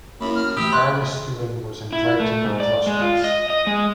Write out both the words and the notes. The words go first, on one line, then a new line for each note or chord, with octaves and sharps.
His early schooling was at Brighton and Brussels.
F#2 A#3 E4 B5
F6
E3 A3 G4 B5 D#6 E6
C6 F#6
E4
A3
G#2
D5
G#3
F4
D#5
D#5
G#3